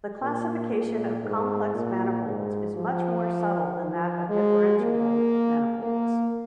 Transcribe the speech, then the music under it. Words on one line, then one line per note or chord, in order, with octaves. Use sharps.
The classification of complex manifolds is much more subtle than that of differentiable manifolds.
A#2
A#2
G#2
A#2
G#2
F3
F3
G#3
A#3
A#3